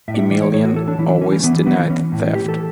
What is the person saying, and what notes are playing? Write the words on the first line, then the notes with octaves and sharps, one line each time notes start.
Emelyan always denied the theft.
A2 E5
D5
E5
E3 D5
C#5
A2 C#5
F#4
E3 A4
D4
E3 E4
D4
E3 C#4
C#4
A3
E3 B3
E3 B3
E3 C#4
A2
E3 G4
A4